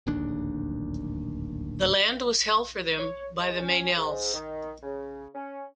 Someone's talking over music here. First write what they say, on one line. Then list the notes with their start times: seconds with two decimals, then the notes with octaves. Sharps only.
The land was held for them by the Meynells.
0.07 D1 A#1 D#2 D4
2.98 C#5
3.40 G#3
3.60 C#4
3.96 G#2
4.34 D#3
4.83 C#3
5.35 C#4